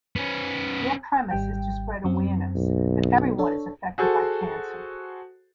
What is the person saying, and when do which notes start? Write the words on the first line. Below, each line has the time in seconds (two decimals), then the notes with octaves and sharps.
Their premise is to spread awareness that everyone is affected by cancer.
0.16 B3 C#4
1.31 G#1 G3 G5
2.04 F#2 F#3 C4
2.55 B1
3.38 D4 A4 C#5
3.98 F#4 G#4 A4 C5